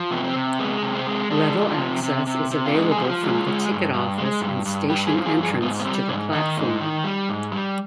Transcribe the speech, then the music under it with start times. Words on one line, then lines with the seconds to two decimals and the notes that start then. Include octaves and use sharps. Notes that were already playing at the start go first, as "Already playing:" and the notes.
Level access is available from the ticket office and station entrance to the platform.
Already playing: F3
0.11 C3 B3
0.24 C4
0.36 C3
0.59 G#3 B3
0.83 C3
0.95 C4
1.07 G#3
1.31 G#3 D4
1.55 F3
1.78 C3
2.03 C3
2.27 C3
2.51 C3
2.66 F4
2.75 G#3 D#4
2.92 G#4
2.98 F3 G4
3.10 F4
3.23 G#3
3.47 G#3
3.71 G2
3.94 G2
4.18 G#3
4.41 G2
4.65 G2
4.90 G2 G4
5.07 G#4
5.14 F3
5.26 G#4
5.38 G2
5.43 G#4
5.62 G#2 B3
5.80 B3
5.85 G3 C4
6.09 G#2 D4
6.33 D#3 D#4
6.57 G#2
6.80 D#3
7.04 G3
7.29 G#2
7.52 G3